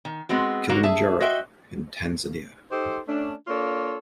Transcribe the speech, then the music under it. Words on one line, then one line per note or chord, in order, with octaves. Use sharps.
Kilimanjaro in Tanzania.
D#3
G#3 B3 C4 F#4
D3 F#4 A#4 F5 A#5
G#4 E5 A5
F#4 C5 D#5 E5 G5
D#4 G4 A4 C5
A3 C#4 D4
A#3 D4 F4 A4 C#5